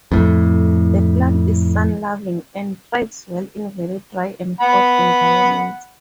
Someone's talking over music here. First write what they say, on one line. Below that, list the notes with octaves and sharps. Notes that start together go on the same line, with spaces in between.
The plant is sun-loving, and thrives well in very dry and hot environments.
F2 A2
F#5 B5